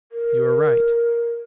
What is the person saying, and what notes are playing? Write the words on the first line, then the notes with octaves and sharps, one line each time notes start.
You are right.
A#4